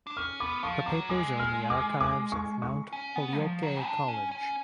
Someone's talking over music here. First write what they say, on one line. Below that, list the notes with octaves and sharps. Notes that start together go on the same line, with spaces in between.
Her papers are in the archives of Mount Holyoke College.
D4
C#4 F6
B3 D6
F3 C#6
F#3 D6
G#3 D6
F6
D6
D6
C#6
C#6
C#4
B3
F3
F#3
D4
C#4
C#4